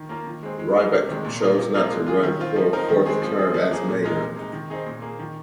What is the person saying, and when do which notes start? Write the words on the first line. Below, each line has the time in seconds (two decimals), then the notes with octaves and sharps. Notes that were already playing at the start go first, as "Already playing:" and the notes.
Rybak chose not to run for a fourth term as mayor.
Already playing: D#3
0.09 A#3 F4 A#4
0.26 D#3
0.43 G#3 C4 G#4
0.59 G#3
0.76 D#4 G#4
0.92 C3
1.09 D#3 G#3
1.25 A#2
1.41 A#3 F4 A#4
1.58 C3
1.74 F3 A#3 F4
1.91 G#3
2.06 F4 G#4
2.23 D#3
2.40 C4 F4
2.56 F3
2.73 C4 D#4 A#4
2.88 D#3
3.06 G#3 C4 G#4
3.22 F3
3.38 C4 G#4
3.54 F3
3.71 A#3 G#4
3.88 A#2
4.04 G#3 D#4 A#4
4.21 C3
4.36 G#3 D#4
4.53 D#3
4.70 C4 D#4 G#4
4.86 A#2
5.02 A#3 G#4
5.19 D#3